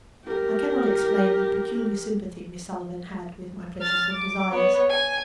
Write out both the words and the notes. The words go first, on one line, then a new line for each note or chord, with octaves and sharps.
I cannot explain the peculiar sympathy Miss Sullivan had with my pleasures and desires.
G4 A#4
F6 A6
D6
B3 C#5
G#5